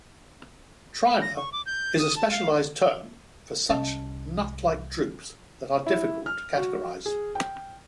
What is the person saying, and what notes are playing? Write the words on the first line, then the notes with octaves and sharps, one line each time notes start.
Tryma is a specialized term for such nut-like drupes that are difficult to categorize.
A#6
C#6
D6
G6
D#6
A5
F5
C2 C#4 D#5 A5
E4
F6
F#4
G#4
G5